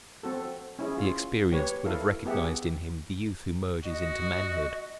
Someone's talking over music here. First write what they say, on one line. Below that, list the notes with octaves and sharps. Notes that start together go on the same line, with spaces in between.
The experienced would have recognized in him the youth who merges into manhood.
C4 F#4 A4
C#4 E4 G#4
F4
A#3 G4 B4 C#5
E4 A4 A#4 F5
B3 G4 G#4 E5 F#5
F#4 D#5